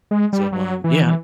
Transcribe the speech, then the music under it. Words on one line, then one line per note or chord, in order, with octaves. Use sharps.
So, um, yeah.
G#3
G3
F#3
E3
E3